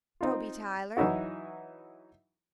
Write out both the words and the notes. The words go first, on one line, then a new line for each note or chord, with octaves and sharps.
"Toby Tyler."
C4 D#4 F4
E3 F#3 D#4 E4 F#4